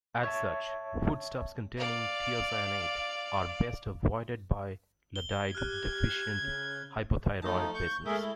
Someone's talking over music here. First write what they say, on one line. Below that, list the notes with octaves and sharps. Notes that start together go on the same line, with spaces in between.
As such, foodstuffs containing thiocyanate are best avoided by Iodide deficient hypothyroid patients.
C#5 E5 A5
D5 F5
G7
G4 F6 F#6 G#6
C#3
F3 A3 D#4 A5
C#6 G6
G#3 A3 G#4 A#4 E5
E4